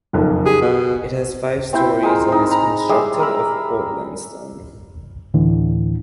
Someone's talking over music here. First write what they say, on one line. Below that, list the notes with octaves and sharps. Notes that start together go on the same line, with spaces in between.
It has five storeys and is constructed of Portland stone.
F#1 B1 F2
G4 G#4
B2
C4 E4 C5 G5
G#3 A#4 C5
C4 D#4
A#5 B5
G3 G#3 G#4 E5
A#4 A#5 B5 E6
D2 A2 D3 E3